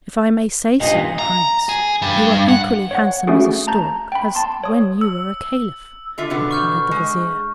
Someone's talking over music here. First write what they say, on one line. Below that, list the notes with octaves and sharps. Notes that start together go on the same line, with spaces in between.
"If I may say so, your Highness, you are equally handsome as a stork as when you were a Caliph," replied the Vizier.
G2 A#2 D#5
A#5
G#4
G2
F#5
C#5 F#5
A3 C#4 F#4 G#4
A5 A#5 G6
G5 B5
A5 C6
C#5 D#6
E6
D3 F4 E5
B2 D3 B3
C#6 F6 G6
G#3